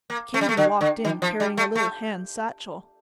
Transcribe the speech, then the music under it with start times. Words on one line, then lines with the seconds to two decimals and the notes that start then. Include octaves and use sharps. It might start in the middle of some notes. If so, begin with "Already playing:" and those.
Katy walked in carrying a little hand satchel.
0.10 A#3
0.34 A3
0.41 G3
0.49 A3
0.57 D3
0.81 D3
1.05 D#3
1.22 F3
1.40 G3
1.57 A3
1.75 A3